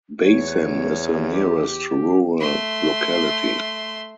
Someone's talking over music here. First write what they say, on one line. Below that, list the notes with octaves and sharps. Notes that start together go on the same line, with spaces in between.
Basim is the nearest rural locality.
E2 C#5
G4
A3 C6